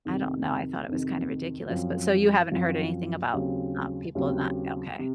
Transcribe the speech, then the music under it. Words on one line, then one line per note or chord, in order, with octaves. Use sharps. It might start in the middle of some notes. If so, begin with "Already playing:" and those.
I don't know. I thought it was kinda ridiculous, but so you haven't heard anything about, um, people not okay.
F2 C3 D#3
F2 C3 D#3
F#2 F3 C4 F4
F#2 F3 C4 F4
D#2 C#3 F#3 C4
D#2 C#3 F#3 C4
C3